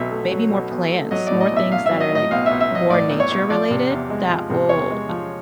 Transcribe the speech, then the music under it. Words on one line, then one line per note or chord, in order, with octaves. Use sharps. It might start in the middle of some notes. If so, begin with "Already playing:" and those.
maybe more plants, more things that are, like, more nature related that will
Already playing: B1 B2 F#3 A3 E5
A3
F#3
B2
B1
A3
F#3 D#5
A2 D5
D#5
B1
E5
B1 F5
E5
F#3
D#5
A2 D#5
B1 F5
B1 E5
E5
F#3 D#5
A2 D5
B1
C#5
B1
F3 D5
C3
E2
G#3
F3
C3
E2 C#5
G#3
F3